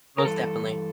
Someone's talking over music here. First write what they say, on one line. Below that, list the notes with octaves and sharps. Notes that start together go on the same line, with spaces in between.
most definitely.
A#4
G2 E3 A4